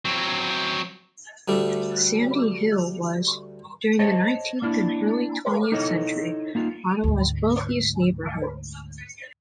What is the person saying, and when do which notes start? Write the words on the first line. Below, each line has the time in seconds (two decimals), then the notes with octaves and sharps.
Sandy Hill was, during the nineteenth and early twentieth century, Ottawa's wealthiest neighbourhood.
0.05 F#3 C4
1.48 D2 G3 A3
3.99 C5 C#5 D#5 A5
4.62 A#3 D4 E4
5.72 D#4 E4 A4 C#5 D#5
6.55 A#3 D#4 F4
7.04 D2 G#2